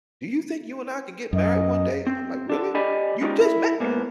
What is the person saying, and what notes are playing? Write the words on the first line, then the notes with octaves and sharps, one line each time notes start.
"Do you think you and I can get married one day?" I'm like, "Really? You just met me.
F#2 D#5
C4
D4 A4
G4 D5 D#5 G#5 B5
G#3 C#4 D#4 F4 G4
E4
G#2 A#3 B3